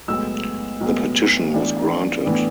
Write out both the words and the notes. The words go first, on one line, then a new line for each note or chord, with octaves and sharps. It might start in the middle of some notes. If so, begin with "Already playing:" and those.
The petition was granted.
B1 A2 G#3 B3 E6
B1 A2 G#3 B3
A2 E3 B3 D4
A2 E3 B3 D4